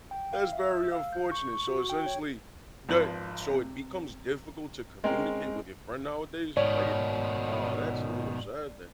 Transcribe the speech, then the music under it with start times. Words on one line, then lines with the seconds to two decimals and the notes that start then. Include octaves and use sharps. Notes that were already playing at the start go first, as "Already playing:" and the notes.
that's very unfortunate. So, essentially the so it becomes difficult to communicate with your friend, nowadays? Like it's aw, that's a little sad, then.
0.11 G5
0.33 F5
0.53 E5
0.71 E6
0.92 F5
1.13 G6
1.32 C#6
1.53 C#6
1.67 F#4
1.89 G5
2.06 C#5
2.89 G#1 F3 B4 F#7
3.50 C3
5.04 G#3 C4 C#4 D#4 A#4
6.57 G#2 B2 D#3 C#5 D5